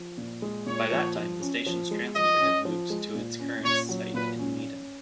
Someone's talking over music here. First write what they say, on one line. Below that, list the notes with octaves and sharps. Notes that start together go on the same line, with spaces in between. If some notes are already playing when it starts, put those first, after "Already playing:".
By that time, the station's transmitter had moved to its current site in Needham.
Already playing: F3
A#2
G#3
A#2 C#5
F3
F3
C#4
F3
G#3
F3 D#5
C#4
F3
G#3
A#2
C#4
A#2 C#5
F#3
A#2 B4
C#4